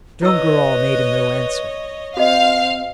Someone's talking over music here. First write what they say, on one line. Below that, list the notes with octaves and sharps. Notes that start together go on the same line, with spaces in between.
Joam Garral made him no answer.
E4 B4 C#5 D#5 E6
C4 F#4 D#5 F5